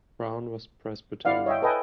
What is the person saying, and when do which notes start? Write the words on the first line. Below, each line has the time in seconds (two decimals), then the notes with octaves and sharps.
Brown was Presbyterian.
1.25 E4 D5 F5 F#5
1.46 C#5 D#5 E5 G5
1.62 A4 B4 D#5 G5 G#5